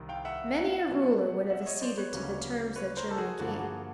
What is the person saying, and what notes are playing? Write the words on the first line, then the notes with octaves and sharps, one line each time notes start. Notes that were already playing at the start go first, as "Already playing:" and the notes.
Many a ruler would have acceded to the terms that Germany gave.
Already playing: C2 C3 D#3
F5 G5
E5 F#5
F#5
F5
E5 F#5
B2 F#3 B3 D4
E5 F#5
E5
C#5 D#5
C5 D5
B4 C#5
D2 C#3 F#3 A#3 C#4
B4 C#5
A#4 C5
A4
F#4 G#4
G2 D3 F3 A#3 F#4
F#4 G#4